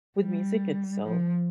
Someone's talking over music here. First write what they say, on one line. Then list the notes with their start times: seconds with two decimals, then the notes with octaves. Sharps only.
with music itself,
0.18 G3
1.04 F3